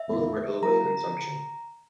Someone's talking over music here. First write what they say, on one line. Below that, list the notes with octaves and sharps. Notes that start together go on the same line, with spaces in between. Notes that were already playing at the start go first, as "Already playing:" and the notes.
Both were ill with consumption.
Already playing: E5
E2 D#3 A#3 E4
F#3 A#3 E4 A#4 A#5